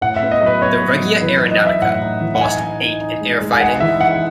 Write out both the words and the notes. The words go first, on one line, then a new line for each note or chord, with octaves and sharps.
The "Regia Aeronautica" lost eight in air fighting.
A2 F#5
E5
B3
D#5
F#3 B4
B3 C#5
F#3
F#3
E3 B4
D#4 B4
D#5
D#4 E5
A2 F#5
D#4
E3
F#5
D#4 G#5
D#4
D#4
D#4
G#3
G#3
G#5
D#4 F#5
E3 E5
D#4 F#5